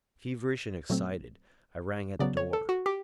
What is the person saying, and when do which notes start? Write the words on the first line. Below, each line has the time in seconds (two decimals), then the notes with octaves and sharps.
Feverish and excited, I rang at the door.
0.89 A#2 F#3 A3 C4
2.19 C#3 F#3 B3 D5
2.37 C#5
2.53 A4
2.69 F#4
2.86 G4